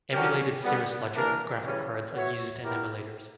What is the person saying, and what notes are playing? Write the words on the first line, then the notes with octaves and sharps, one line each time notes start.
Emulated Cirrus Logic graphic cards are used in emulators.
D3 F#3 C#4 G4 A#4
D3 G3 B3
E3 A#3 D4 A#4
C#3 E3 G3 C#4
B3 F#4 C#5 E5
B3 E4 G4 A#4